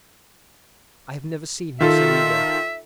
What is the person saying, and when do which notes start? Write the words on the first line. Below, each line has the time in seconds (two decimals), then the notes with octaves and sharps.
I have never seen him so eager.
1.80 D#3 F4 A4 E5